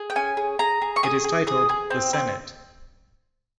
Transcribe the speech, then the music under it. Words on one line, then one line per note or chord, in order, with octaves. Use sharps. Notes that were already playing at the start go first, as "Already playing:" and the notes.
It is titled, The Senate.
Already playing: G#4
G5
C#4 G#5
G#4
G#4 A#5
G#4
C#6
G#4 D#6
G#4
G#4 D#6
G#4
C4
C4